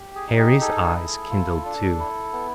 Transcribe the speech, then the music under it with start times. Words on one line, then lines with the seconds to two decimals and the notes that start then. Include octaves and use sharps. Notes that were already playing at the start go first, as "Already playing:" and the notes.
Harry's eyes kindled, too.
Already playing: G4
0.15 G#4
0.27 D#4
0.39 G#4
0.61 G#4 A4
0.95 E4
1.30 F4
1.65 D4
1.99 E4
2.33 B3